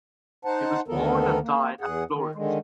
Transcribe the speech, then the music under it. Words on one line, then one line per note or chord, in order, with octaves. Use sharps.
He was born and died at Florence.
D#4 C5 F#5 A5
D2 D3 D#3 B3 A4 A#4
A#3
E2 G#4 F#5
D#3
D3 D#3 G#3